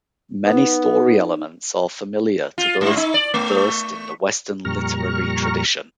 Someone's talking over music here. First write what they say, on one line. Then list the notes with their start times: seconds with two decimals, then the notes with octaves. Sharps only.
Many story elements are familiar to those versed in the Western literary tradition.
0.46 B3 D#4
2.58 F4
2.81 G#2
2.97 D#4
3.14 D5
3.34 A3
4.65 F2 A#2 G3 A#5 C#6 F6